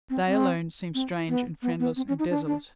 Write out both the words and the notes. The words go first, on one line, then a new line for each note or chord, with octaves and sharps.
They alone seemed strange and friendless, and desolate.
C4
C4
C4
B3
B3
B3
C4
C#4
D#4
D4
D4